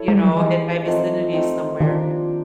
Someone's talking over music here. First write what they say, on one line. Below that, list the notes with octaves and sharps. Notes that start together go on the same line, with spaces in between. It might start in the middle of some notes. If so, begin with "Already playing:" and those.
you know, in my vicinity somewhere,
Already playing: E4 A4 C#5
G#3
G3
F#3
F3
E3 G#3 B3 D#4 G4
F3 A3 C4 D#4
A3 C4 D#4
D#3 F3 A#3 D4 G4